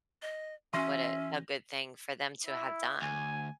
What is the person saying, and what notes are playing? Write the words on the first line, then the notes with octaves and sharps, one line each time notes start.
What a a good thing for them to have done."
D#5
E3 C#4 F#4 E5 G#5 C6 A#6
E4
D2 G#5